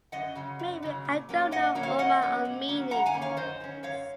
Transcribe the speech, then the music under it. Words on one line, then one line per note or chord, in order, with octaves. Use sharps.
Maybe I don't know all my own meanings.
F#2 D#5 F#5
C#3 F#3
F#2
C#3 F#3
A#2
F#3 A#3 C#4
A#2 D#5 F#5
F#3 A#3 C#4
C#5 F5
A#2 D#5 F#5
F#3 A#3 C#4
A#2
F#3 A#3 C#4
F#2 F#5 A#5
F5 G#5
D#3 A#3 C#4
C#5 F5
F#2 C5 D#5
D#3 A#3 C#4
F#2 C#5 F5